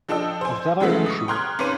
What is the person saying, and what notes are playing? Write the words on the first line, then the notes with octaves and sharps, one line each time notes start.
Of that I am sure.
F3 D4 A4 D#5 G5 E6
C5 G#5
C#3 E3 F#3 G#3 A3 B3
C#6 D#6
G5 A#5 C6 F6 F#6 G#6
G#1 C#4 B4 C6 D#7